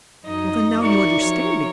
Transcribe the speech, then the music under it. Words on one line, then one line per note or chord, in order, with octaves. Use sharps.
Well then, now you understand me.
F#2 D#4 D#5
D#4 F#4 A#4 D5 E5 C#6
F3 F#3 A#4 C#5